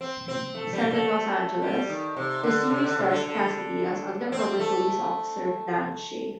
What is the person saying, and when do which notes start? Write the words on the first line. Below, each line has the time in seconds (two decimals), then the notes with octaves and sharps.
Set in Los Angeles, the series stars Cassidy as undercover police officer Dan Shay.
0.01 C4
0.28 C4
0.55 A3
0.73 G3
0.90 A3
1.62 G3
1.89 D#3
2.17 C3
2.43 D3
2.70 C3
2.84 D3
2.97 C3
3.11 D3
3.24 D3
4.32 C4
4.60 A3